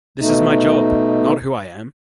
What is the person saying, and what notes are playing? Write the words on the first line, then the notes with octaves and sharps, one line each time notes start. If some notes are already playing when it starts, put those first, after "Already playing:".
This is my job, not who I am.
B2 A3 D#4